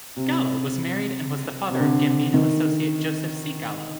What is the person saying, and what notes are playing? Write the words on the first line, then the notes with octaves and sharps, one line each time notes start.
Gallo was married and was the father of Gambino associate Joseph C. Gallo.
C3
C3
D3
D#3